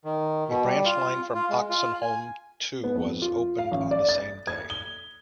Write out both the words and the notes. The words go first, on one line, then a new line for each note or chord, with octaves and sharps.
A branch line from Oxenholme to was opened on the same day.
D#3
B2
G3
F4
F4
G#3
F4
G#5
B3
F2
F4
F5
A1
D5
A6
G#6
G7